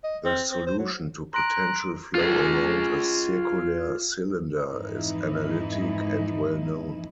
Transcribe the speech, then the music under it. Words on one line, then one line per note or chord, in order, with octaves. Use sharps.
The solution to potential flow around a circular cylinder is analytic and well known.
D#5
C4
C4
C5
F#3
A#5 C6 F#6 D7
F4 G#4
F2 G#2 E3 D#4 E4